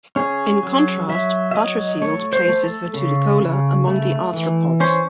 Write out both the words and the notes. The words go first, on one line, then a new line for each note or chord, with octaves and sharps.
In contrast, Butterfield places "Vetulicola" among the arthropods.
C#4 G#4
F#3
F#3 E5
E5
F#3 D#5
A3 C#5
C5
A3
A4
C#3
C#3
A3
E3
C#4 C5